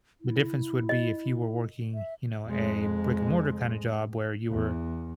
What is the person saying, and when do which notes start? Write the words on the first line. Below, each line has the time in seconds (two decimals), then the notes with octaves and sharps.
the difference would be if you were working, you know, a brick and mortar kind of job where you were
0.21 E4
0.89 D#5
1.94 E5
2.46 F2 G#3
4.50 E2